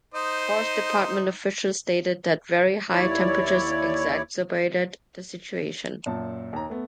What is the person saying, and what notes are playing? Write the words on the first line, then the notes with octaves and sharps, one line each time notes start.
Forest department officials stated that very high temperatures exacerbated the situation.
D#4 C5 D#5
D#2 E4 C#5 D5
F#2 A#2 A5
D#2 A#5
A3 B3